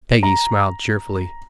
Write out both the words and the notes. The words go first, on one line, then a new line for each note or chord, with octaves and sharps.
Peggy smiled cheerfully.
A#5